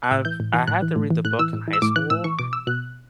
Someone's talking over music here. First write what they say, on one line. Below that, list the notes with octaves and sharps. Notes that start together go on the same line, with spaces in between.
I've I had to read the book in high school,
F#6
A2 E6
E3 G6
A2
E3
A2 F#6
E3
A2
E3
A2 F#6
E3 E6
A2
E3
E6
A2 D6
E3 F#6
A2 E6
E3 C#6
B2 D6
E6
B2 F#6